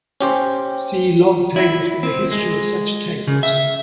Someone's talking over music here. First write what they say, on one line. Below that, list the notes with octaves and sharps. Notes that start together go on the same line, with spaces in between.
See log table for the history of such tables.
C#4 G4 C5
E4
C4
G#3
C#3
E5